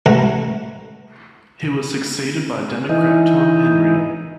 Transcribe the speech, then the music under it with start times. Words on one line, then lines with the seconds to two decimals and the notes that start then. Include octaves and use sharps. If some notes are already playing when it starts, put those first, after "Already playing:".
He was succeeded by Democrat Tom Henry.
0.06 A1 A3 F#5 A#5
2.89 E3 D#4